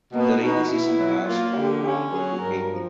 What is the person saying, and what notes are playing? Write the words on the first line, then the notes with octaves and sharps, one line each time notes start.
The rainy season lasts from November to April.
B2 A#3
B2 D#4
B2 E4
F#3
A#3 F4
D3 G4
C#4
F#3 G#4
G2 A#4
F3